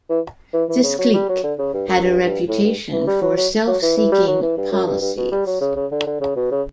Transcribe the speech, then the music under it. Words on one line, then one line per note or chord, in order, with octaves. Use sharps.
This clique had a reputation for self-seeking policies.
E3
E3
E3
C#3
F#3
G3
F#3
D3
C#3
G2
F#2
G2
G2
A2
G2
E3
G3
F#3
F#3
F#3
E3
E3
G3
F#3
E3
G2
F#2
G2
G2
B2
G3
F#3
C#3
C#3
D3
D3
C#3
B2
C#3